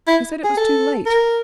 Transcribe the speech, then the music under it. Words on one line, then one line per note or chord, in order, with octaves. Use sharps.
He said it was too late.
E4
G#4
A4
A#4